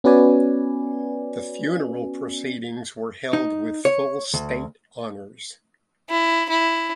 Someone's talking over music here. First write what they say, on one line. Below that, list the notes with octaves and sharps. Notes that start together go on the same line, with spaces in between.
The funeral proceedings were held with full state honors.
B3 C#4 F#4 B4 D5 G#5
D#4
C#5
D2
E4
E4